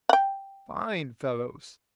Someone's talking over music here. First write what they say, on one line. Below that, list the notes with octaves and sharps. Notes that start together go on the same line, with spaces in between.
Fine fellows!'
F#5 G5